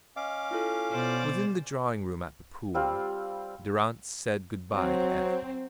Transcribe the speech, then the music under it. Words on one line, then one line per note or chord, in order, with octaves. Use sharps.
Within the drawing-room at The Pool, Durrance said good-bye to Ethne.
C#4 D#5 F5 D6
E4 F4 A4
B2 C5 D5
G3 C4 F4 F5
F#3 C4